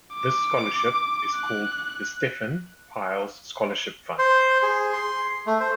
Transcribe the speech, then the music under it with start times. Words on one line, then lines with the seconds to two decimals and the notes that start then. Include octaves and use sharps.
This scholarship is called The Stephan Pyles Scholarship Fund.
0.15 D6
1.36 F#6
4.19 C5
4.63 G#4
4.93 C6
5.47 A3
5.60 C5